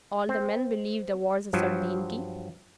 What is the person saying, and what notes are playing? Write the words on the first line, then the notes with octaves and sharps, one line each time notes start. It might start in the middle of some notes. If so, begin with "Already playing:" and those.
All the men believe the war's a certainty.'
C4
G2 F3 F#3